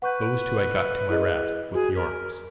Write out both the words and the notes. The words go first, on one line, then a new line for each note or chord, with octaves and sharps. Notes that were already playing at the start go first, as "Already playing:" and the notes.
Those two I got to my raft, with the arms.
B4 F#5 C#6 G6
E4 G#4 D#5
F#4 G#4
A#4 B6